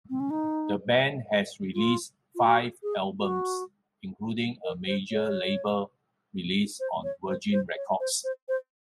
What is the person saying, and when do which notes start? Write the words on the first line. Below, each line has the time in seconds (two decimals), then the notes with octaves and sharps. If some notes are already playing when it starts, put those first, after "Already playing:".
The band has released five albums including a major label release on Virgin Records.
0.10 C4
0.20 C#4
0.30 D#4
1.74 F4
2.35 F4
2.47 F#4
2.83 G#4
3.20 F#4
4.63 A#4
4.87 C5
5.12 C#5
6.80 C5
7.04 C#5
7.27 C5
7.52 C5
7.76 C#5
8.00 C5
8.24 C5
8.48 C5